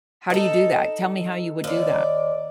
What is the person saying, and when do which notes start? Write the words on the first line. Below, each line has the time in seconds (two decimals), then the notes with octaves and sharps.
How do you do that? Tell me how you would do that.
0.30 D#4 A4
1.64 D#2 D5